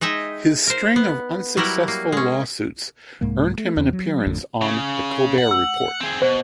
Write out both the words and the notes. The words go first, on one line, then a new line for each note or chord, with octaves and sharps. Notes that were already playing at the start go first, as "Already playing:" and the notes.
His string of unsuccessful lawsuits earned him an appearance on "The Colbert Report".
G#3 D#4 D#5 E5 G5
A#4 C5
B3
F#3 G3 E4 A#4
A#3
G#3 C#4
C2 G#2 G#3 A#3
A3
E2 C4
F#3
A1 F2 A2 D3
C#3
F#5
E6
C4 G#4
B2 C5